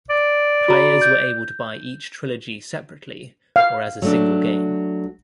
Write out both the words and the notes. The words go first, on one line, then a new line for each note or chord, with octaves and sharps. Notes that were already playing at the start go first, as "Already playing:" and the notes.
Players were able to buy each trilogy separately or as a single game.
D5
F#4 A#5
G6
F5
F#3 A3 D4